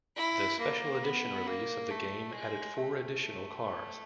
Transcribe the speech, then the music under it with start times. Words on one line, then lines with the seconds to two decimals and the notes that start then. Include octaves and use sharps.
The "Special Edition" release of the game added four additional cars.
0.16 E4
0.59 A#3
1.03 B3
1.46 A#3
1.90 A3
2.33 G#3
2.77 A3
3.20 A3